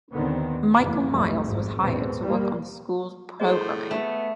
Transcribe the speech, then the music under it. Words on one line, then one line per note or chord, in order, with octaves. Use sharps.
Michael Miles was hired to work on the school's programming.
D#2 D3 D#3 B3 C4
F#1 F2 E3
F1 B1 F2 G#2 G3 A3
G#1 G#2
G#1 D#2 G#2 B2 C4
G3 A#3
A2 G#4 C5 D#5
A3 B3